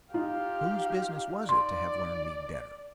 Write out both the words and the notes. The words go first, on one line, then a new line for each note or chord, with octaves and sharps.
Whose business was it to have learned me better?
D#4 F4 G4 F5
D5 C6